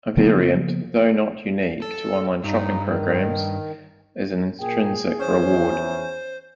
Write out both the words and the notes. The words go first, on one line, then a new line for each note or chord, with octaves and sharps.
A variant, though not unique to online shopping programs, is the intrinsic reward.
C#3 F3 A#3 B3
A4
G2 D#4
D#3
A#2 G#4 A#4 G5
E2 C#4 C5